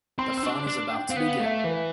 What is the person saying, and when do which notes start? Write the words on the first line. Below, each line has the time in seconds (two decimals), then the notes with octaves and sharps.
The fun is about to begin.
0.18 C4 C6
0.38 E6
0.43 D4
0.55 D6
0.67 D4
0.92 G5
1.10 C4 F5
1.16 B3
1.28 F5
1.40 A3
1.46 E5
1.64 E3 B4